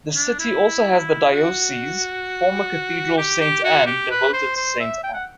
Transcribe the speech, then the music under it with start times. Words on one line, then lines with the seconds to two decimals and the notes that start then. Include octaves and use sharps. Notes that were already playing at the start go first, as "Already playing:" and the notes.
The city also has the diocese's former cathedral Sainte Anne, devoted to Saint Anna.
0.15 D4
0.39 E4
1.32 F#4
3.18 G4
3.41 G4
3.64 F#4
3.87 G4
4.11 B4
4.33 C5
4.56 C5
4.80 E5
5.04 G5
5.14 F#5